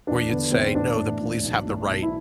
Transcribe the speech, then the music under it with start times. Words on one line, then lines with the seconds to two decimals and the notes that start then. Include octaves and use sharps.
where you'd say, "No, the police have the right
0.07 E2 D4
0.29 D3 B3
0.52 E2 C4
0.75 A1 D4
0.97 A2
1.20 A1
1.43 B1
1.65 A2
1.88 B1
2.03 E4